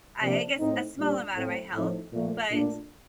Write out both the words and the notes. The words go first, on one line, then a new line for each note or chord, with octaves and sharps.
I I guess, a small amount of my health, but
C3 F3 A#3 D4
A2 A3 C4 D#4
A#2 G3 D4
A2 A3 C4
A2 F3 A3 C4 D#4
A#2 F3 A3
A#2 A3 D4